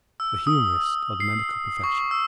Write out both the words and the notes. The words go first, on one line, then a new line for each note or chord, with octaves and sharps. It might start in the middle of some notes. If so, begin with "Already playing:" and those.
The humorist of the medical profession.
E6
D#6
C7
C#6
E6